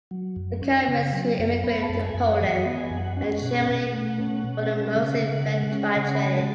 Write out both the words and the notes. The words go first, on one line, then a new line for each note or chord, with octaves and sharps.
The Kalmyks who emigrated to Poland and Germany were mostly repatriated.
F#3
F#2
C#4
C#3
F#3
F#2
B3 B5
A5
F#2
G#5
F#2
F#5
C#5
E3 D#5
D#5
B3
G#5
F#2
F#5
C#4 F#5
G#5
F#5
B2
B2
A3
C#4
B2
F#5
C#4 E5
C#3
C#3 F#5
G#3
C#4
C#3
B5
G#3 A5